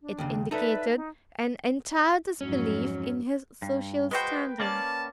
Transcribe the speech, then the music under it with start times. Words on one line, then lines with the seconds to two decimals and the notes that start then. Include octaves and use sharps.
It indicated an entire disbelief in his social standing.
0.01 D4
0.18 D#2 C#3
0.51 D#4 A4 B4 D5 E5
0.95 D#4
2.41 F2 G#2 F#3 C#4
3.62 G2
4.11 G#3 F#4 B4 C5 G5
4.60 A#3 C#4 D5 A5